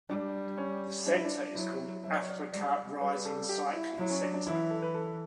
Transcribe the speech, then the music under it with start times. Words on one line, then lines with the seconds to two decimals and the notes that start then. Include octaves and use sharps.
The center is called Africa Rising Cycling Center.
0.09 G3 D4
0.58 C#4
1.06 D4
1.15 E4
1.25 D4
1.55 F#3 E4
2.04 F#3 E5
2.13 D5
2.21 C#5
2.29 D5
2.52 G3 D5
3.01 G3 B4
3.25 A4
3.49 G4
3.73 E4
3.98 F#3 E4
4.10 C#4
4.22 D4
4.34 D4
4.47 E3 E4
4.71 A4
4.82 B4
4.94 A4